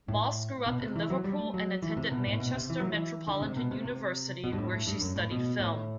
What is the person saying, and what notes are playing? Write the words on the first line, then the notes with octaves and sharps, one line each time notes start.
Moss grew up in Liverpool and attended Manchester Metropolitan University, where she studied film.
A2
B2
C3
E3
F#3
G3
A3
F#3
E3
C3
B2
A2
B2
C3
E3
F#3
E3
D3
C3
B2
C3
C3
B2
G2
A2
A2
G2
F#2
A2
B2
A2